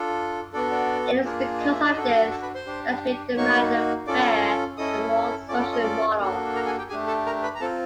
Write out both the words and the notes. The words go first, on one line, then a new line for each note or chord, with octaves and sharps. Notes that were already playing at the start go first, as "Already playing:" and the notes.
It is because of this that we demand a fair and more social model.
Already playing: D4 F4 A4
B3 D4 F#4 A4 D5
D4 D5
A#3 D4 F4 G#4
D#5
E5
D#4 D#5
D4 F#4 A4
A4 A5
B4 B5
C5 C6
D4 G4
A#3 D#4 F#4 C#5 C#6
C#4 F4 A4 D5 D6
C#4 E4 A4 D#5 D#6
C#4 F4 A4 D5 D6
D5 D6
D#5 D#6
D5 D6
A#3 D4 F#4 A4
A#4 A#5
G#4 G#5
G4 G5
A3 D4 G4 G#4 G#5
A4 A5
A#4 A#5
B4 B5
A#5
C4 F4 A4 A5